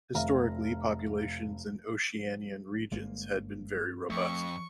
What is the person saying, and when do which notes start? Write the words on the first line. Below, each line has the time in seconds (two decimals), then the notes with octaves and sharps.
Historically, populations in Oceanian regions had been very robust.
0.14 F1 E5 F5 A#5
2.91 G1 G2 G#3 A#3
4.10 F2 F3 A3 C#6